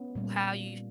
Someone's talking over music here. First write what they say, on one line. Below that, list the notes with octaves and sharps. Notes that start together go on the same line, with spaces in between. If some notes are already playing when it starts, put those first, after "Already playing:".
W how you
Already playing: B3 C#4
A#2 G3 A#3